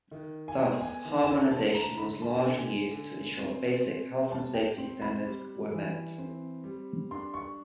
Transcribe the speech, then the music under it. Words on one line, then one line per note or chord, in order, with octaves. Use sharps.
Thus harmonisation was largely used to ensure basic health and safety standards were met.
D#3
G#5
B3 G5
G#5
D#3
G#5
A5
D3 A5
A#5
D3 B5
A5
G5
D3 G#5
D3
C4
C4
G3 A5
G5
C4
B5
G3
E3
C4
G3
D4 C6
C#6